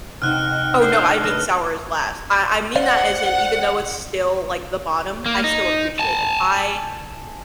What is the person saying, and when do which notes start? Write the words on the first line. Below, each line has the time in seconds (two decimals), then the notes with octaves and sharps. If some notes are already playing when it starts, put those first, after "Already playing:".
Oh, no, I mean sour is last; I I mean that as in even though it's still, like, the bottom, I still appreciate it, I
0.22 C3 D#4 D#5 F#5 G5 F6 F#6
0.82 D4 C5
1.24 A3 A#4 B4 C#5 D#5 F6
2.76 C5 D5 F5 F#5
5.26 A#3
5.44 D#4
5.99 G#5 A5